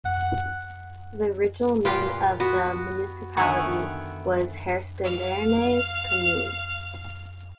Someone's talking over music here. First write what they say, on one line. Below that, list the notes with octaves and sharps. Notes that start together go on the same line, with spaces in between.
The original name of the municipality was Herstedernes Kommune.
F#5
A#2 F4 G4 B4 F5
B3 F#4
D3 D#3 B3 E5 G#5 C#6
F5 F6